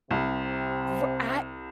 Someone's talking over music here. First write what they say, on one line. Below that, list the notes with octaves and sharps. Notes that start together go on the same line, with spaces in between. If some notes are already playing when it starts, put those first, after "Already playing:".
r I
C2 C3